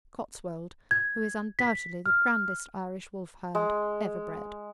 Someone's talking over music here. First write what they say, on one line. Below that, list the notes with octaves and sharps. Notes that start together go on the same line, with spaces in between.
Cotswold, who is undoubtedly the grandest Irish Wolfhound ever bred.
G#6
B6
F6
G#3